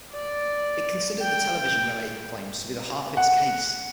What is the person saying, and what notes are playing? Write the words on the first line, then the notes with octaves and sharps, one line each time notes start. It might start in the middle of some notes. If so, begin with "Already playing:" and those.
It considered the television-related claims to be the heart of its case.
D5
G5
F#5